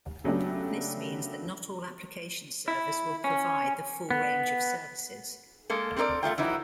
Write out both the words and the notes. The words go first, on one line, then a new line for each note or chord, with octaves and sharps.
This means that not all application servers will provide the full range of services.
C#3 F#3 A3 B3 D4 G4
E4
C#4
B3
G#3 A#3 A4
C4 A4 A#4 C5 D5
E2 A3 F4 G5
E3 F#3 D#4 E4